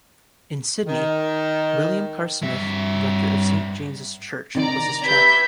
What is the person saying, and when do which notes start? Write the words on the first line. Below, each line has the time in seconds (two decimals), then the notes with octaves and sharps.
In Sydney, William Carr Smith, rector of Saint James' Church was his chaplain.
0.87 D#3
2.42 G2 E5
4.55 C3 D#3 D5 A#5
5.04 G4 B4 E5 G6 G#6 B6